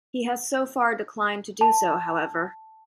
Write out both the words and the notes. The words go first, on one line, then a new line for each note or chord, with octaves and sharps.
He has so far declined to do so, however.
A5